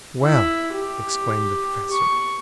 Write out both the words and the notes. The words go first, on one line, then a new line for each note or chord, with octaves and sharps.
"Well!" exclaimed the Professor.
E4
G4
C#6